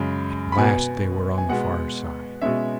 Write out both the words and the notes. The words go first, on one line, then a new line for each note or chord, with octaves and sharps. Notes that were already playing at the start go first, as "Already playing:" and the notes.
At last they were on the far side.
Already playing: F#2 C#3 G#3 B5
B5
B2 B3 G#5
G#5
B2 G#3 B3 F#5
B2 G#3 C#4 E5